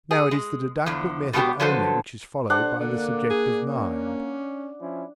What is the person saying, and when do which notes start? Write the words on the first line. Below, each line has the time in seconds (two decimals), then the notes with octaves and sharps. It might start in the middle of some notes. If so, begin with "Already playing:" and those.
Now it is the deductive method only which is followed by the subjective mind.
0.11 G#4
0.31 G#3
0.86 E2 D3 F3
1.33 B2 G#3 A3 B3 F#4 G4
1.60 D3 F3 F#3 A4 B4 C5
2.50 G3 D4 A4 C5 F#5
2.80 D3 A#3
3.30 G#4
3.69 C#4
4.81 F3 C#4 E4